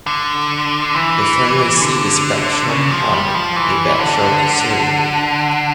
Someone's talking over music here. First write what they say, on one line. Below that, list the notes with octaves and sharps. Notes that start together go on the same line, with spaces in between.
The family seat is Bagshot Park, near Bagshot, Surrey.
D3
E3
D3
C#3
F3
G3
F3
E3
D3